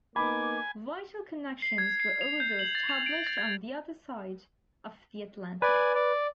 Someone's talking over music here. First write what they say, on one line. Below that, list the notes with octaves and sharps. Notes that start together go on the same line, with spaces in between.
Vital connections were also established on the other side of the Atlantic.
A#3 B3 D#4 G#5 B5 D6
C7
G#6
C7
F7
G6
F#7
A6
F7
D7
A6
G#6
B4 D5 G#5
D5